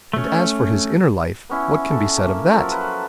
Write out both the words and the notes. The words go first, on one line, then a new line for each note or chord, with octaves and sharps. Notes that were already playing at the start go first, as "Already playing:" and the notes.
And as for His inner life, what can be said of that?
A3 C#4
B3 C#4 E4
A4
A#3 E5
F3 F#3 A4 A#4
B4